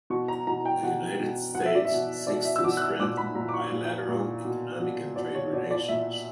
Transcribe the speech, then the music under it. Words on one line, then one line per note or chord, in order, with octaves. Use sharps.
The United States seeks to strengthen bilateral economic and trade relations.
B2 C#6
A#5
B2 A#5
G5
B2 F#5
B2
B2 F#5
E5
D5
E5
B2
B2 D5
E5
E6
B2 D6
F#6
E6
A#2 D6
B5
A#2 A#5
D6
C#6
A#2
A#2
B2
B2
B2 D5
C#5
B2 D5
D5
A#2 E5